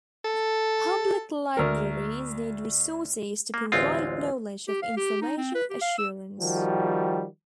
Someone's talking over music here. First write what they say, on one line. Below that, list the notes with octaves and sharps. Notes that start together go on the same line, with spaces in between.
Public libraries need resources to provide knowledge of information assurance.
A4
D2 A#4
A#3
A1 D2 G#3 C4 F4
G4
F5
G4
D#4
C4
B4
G4
F5
E6
D#3 F3 G3 F#4